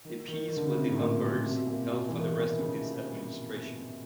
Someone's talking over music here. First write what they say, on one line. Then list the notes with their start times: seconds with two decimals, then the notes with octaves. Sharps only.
The peace with the Lombards held for the rest of his administration.
0.05 D#3
0.28 D#3
0.48 D#3
0.57 D3
0.66 C#3
0.75 C3
0.90 A2
0.98 A#2
1.21 B2
1.35 C#3
1.46 C3
1.56 B2
1.66 A#2
1.89 B2
2.09 E3
2.13 D#3
2.36 D#3
2.59 C#3